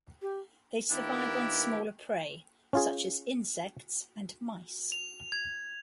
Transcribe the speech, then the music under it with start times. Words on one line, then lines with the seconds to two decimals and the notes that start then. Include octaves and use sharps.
They survive on smaller prey, such as insects and mice.
0.22 G4
0.90 D#3 A#3 B3 D4 E4 G4
2.73 C#4 F4 G#4
4.92 F7
5.32 G#6